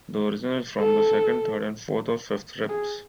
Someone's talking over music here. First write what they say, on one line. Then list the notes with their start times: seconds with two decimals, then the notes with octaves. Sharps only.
The origin is from the second, third and fourth or fifth ribs.
0.80 A4
2.69 G#4